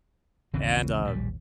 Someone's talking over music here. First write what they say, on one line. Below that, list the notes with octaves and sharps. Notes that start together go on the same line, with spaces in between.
and, uh,
A1 D#2 C#3 E3 C4
A#1 G3